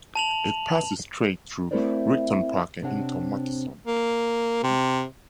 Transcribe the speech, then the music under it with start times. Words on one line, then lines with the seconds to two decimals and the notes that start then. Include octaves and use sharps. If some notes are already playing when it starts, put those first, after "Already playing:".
It passes straight through Richton Park and into Matteson.
0.15 A5 F7 F#7
1.71 A3 C4 E4 A#4 C5 D5
2.82 C3 C4 D4 C#5 F#5
3.87 A#3
4.63 C3